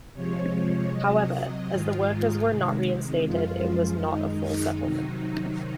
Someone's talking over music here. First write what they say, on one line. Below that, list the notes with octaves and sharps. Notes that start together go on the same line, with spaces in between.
However, as the workers were not reinstated, it was not a full settlement.
C3 F3 G#3 C#5
C3 F#3 D#5
G#2 D#3 G#3 F4
C3 D#3 G#3
F#2 F3 G#3 F4
F#2 D#3 G#3 D#4
C3 D#3 F#3